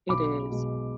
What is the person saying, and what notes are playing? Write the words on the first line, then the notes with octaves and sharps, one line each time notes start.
It is.
B1 B5 D6
B2 G#3